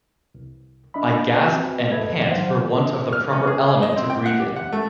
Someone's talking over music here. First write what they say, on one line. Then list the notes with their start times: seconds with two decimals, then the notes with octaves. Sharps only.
I gasp and pant for want of the proper element to breathe in.
0.35 C2
0.94 D4 D#5 E5 B5
1.43 C4 F#4 B4
1.92 A2 A4 B4 D#5 E5 G#6
2.30 D#3 F#3 C5 F5 F#5
3.13 F6
3.33 C#4
3.47 G#4
3.83 D#5
3.96 C4
4.10 G5
4.26 F#5
4.39 G4
4.56 F#5
4.73 A3